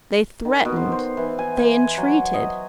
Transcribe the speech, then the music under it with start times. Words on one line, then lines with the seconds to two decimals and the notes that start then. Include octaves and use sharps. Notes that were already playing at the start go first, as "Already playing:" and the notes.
They threatened, they entreated.
0.45 D#3
0.65 B2
0.76 C5
0.92 C5
1.17 E3
1.39 G#5
1.58 G#5
1.98 F#3
2.34 D#5